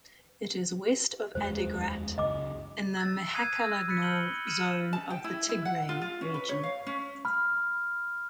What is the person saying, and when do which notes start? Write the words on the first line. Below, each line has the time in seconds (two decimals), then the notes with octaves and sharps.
It is west of Adigrat, in the Mehakelegnaw Zone of the Tigray Region.
1.35 F1 D#2 G#3 C5
2.18 F#1 C#2 D#5 D6
2.97 E6 A6
3.34 D#6 F#6 G#6 C7 D#7
3.61 E6 A#6
3.88 B5 F#6 A6 B6 C#7
4.02 F6 G6 C#7 F#7 G7
4.47 F6 C#7 D#7 E7 F#7
4.93 A5
5.10 G5
5.24 E4
5.49 E4
5.65 F#5
5.89 F4
6.02 F4
6.21 C#4
6.34 B4
6.49 C#5
6.63 F5
6.87 C#4
7.25 B5 F6